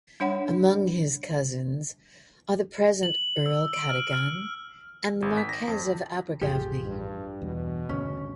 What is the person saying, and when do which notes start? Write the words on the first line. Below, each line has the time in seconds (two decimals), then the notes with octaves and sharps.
Among his cousins are the present Earl Cadogan and the Marquess of Abergavenny.
0.20 G3 D4 C#5 F#5 B5
3.03 F#7
3.46 E6
3.73 D7
3.89 F6
4.13 F6
5.22 G#1
5.37 B6
5.49 A#6
5.68 F2
6.41 A1 F2 F4 G4 G#4
6.85 G2
7.42 E2 G2 B2
7.89 D2 G2 C#3 C#4